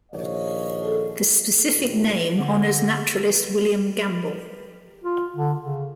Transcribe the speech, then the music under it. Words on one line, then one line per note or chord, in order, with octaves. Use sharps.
The specific name honors naturalist William Gambel.
A#1 D#2 C#5 D#5 F5
A#1 D#2
D3
F4
D3
C#3